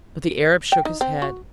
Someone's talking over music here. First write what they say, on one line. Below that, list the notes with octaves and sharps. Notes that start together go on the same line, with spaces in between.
But the Arab shook his head.
G5
D#4
C4
F#4